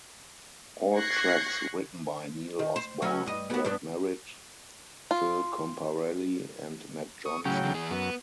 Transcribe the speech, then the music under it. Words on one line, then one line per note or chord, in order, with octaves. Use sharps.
All tracks written by Neil Osborne, Brad Merritt, Phil Comparelli and Matt Johnson.
C#6 F#6 G#6 A#6 C7
D#3
C5
F#3 C#4
G2 D#5
B3 F#4
G2 B3 D4
F4
C#6 D#6
A2 C#3 F#3 C#4 G5
E2 D3
E2 G#4
F#2 B3